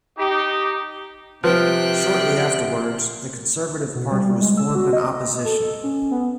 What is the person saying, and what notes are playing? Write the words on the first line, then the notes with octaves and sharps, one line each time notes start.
Shortly afterwards, the Conservative Party was formed in opposition.
D#4 G4
C3 F3 B4 G5 F#6
B2
G3
G#3
E6
F#4
D#5
A4
C#4
B3